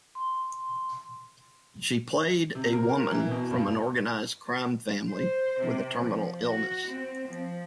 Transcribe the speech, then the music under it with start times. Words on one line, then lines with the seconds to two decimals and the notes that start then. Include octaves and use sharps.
She played a woman from an organized crime family with a terminal illness.
0.15 C6
2.55 C3
2.73 A#4
2.89 A#4
3.11 E3
3.31 B2
3.51 G2
5.10 C5
5.60 C3
5.97 F3
6.47 F#4
6.87 C4
7.28 F3